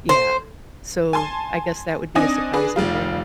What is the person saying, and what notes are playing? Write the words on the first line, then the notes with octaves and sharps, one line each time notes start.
Yeah, so I guess that would be a surprising thing.
C5
G#5 A5 C6
C4 D4 D#4 G#5 D#6 A#6
D4 G#4 B4
F1 G3 F4